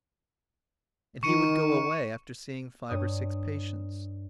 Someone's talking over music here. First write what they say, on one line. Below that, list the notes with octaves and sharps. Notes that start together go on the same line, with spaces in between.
And he would go away after seeing five or six patients.
D#3 C#6 C#7 D#7
G2 C#5 D#6